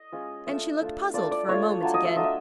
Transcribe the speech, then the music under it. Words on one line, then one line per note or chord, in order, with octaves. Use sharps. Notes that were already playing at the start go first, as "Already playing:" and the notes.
And she looked puzzled for a moment again.
Already playing: D#5
G#3 C#4 F4
A3 D4 F4 E5
A3 D4 F4
A3 D4 F4 D5
D5
A3 D4 F4 C#5
F#3 A3 D4 F4
D#5
E5
F#3 A3 D4 F4 D#5
E5